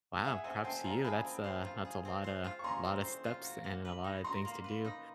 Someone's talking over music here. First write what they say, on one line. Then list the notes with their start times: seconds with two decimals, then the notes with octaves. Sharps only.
Wow, props to you, that's, uh, that's a lotta a lotta steps, and a lotta things to do.
0.24 G#4 E5 F#5
0.44 C4 F#5 G#5
0.64 C5 G5 A5
0.84 F4 G#5 A#5
1.04 G#4 A5 B5
1.25 C4
1.44 C5
1.64 F4
1.85 G#4
2.05 C4
2.24 C5
2.44 F4
2.59 C#6
2.64 G#4 A#5 C6
2.85 C4
3.04 C5
3.25 F4
3.44 F#4
3.64 A#3
3.85 B4
4.04 D#4
4.24 F#4 A#5 C6
4.45 A#3
4.64 B4
4.85 D#4